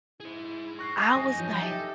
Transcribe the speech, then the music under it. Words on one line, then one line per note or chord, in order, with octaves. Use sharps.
I was, like
E4 G#4 C5
C#6 F#6 A#6 C7
G#5 C#6 D#6 C7
F#2 D#4
F3 F#3 G6
D#4 G4 A4 E5